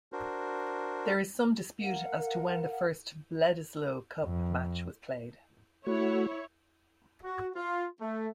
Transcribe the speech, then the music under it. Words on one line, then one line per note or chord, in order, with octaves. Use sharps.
There is some dispute as to when the first Bledisloe Cup match was played.
D4 F#4 A#4 C5
A#4 F5 F#5
F2
A3 E4 F#4 C#5
F#4
F4
A3